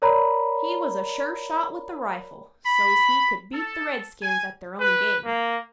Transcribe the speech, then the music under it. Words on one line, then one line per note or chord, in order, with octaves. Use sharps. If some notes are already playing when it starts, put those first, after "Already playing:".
He was a sure shot with the rifle so's he could beat the redskins at their own game.
A#4 C#5 D5 A#5 B5
B5
A4
G#5
B4
A#3